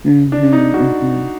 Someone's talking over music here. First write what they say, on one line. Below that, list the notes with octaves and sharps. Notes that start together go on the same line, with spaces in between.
Mhm, mhm.
D4
D#4
F#4